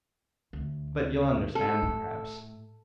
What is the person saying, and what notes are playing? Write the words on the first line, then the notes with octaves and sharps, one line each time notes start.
But ye'll understand, perhaps.
D2
A4
A2